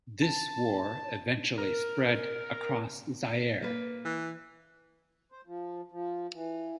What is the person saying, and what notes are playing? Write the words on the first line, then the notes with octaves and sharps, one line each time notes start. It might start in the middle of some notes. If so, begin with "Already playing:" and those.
This war eventually spread across Zaire.
A5
A#4
A#3 B4
E3
C5
F3
F3
E3